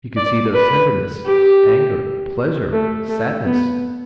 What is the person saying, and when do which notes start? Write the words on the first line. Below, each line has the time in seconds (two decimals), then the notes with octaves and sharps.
You could see there tenderness, anger, pleasure, sadness.
0.17 D5
0.53 B4
1.26 G4
2.72 A3
3.09 A3
3.45 B3